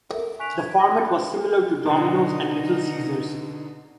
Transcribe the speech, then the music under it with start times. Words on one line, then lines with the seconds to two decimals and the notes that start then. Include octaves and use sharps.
The format was similar to Domino's and Little Caesars.
0.12 A4 A#4 E5
0.39 G#5 C#6 F#6 B6 D7 F7
0.58 G#6
0.79 G#5 A5 C6 E6 A#6
1.04 B5 C6 F#6
1.85 B2 D3 D#4